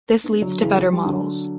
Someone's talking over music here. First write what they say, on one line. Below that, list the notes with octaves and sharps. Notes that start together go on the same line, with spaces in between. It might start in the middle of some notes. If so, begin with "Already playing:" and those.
This leads to better models.
B3 D4
D3 F#3
C#3 E3
F#3
G3
D3 F#3